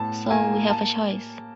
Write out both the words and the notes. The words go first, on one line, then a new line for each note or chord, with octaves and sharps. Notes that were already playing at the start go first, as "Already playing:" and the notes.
So—we have a choice.
Already playing: A2 B3 A5
A#3 G#5
A5